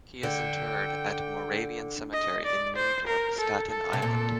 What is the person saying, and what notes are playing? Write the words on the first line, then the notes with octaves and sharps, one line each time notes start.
He is interred at Moravian Cemetery in New Dorp, Staten Island.
D3 G5
D#5
D5
C5
A#4
A4
A4
C3
A#2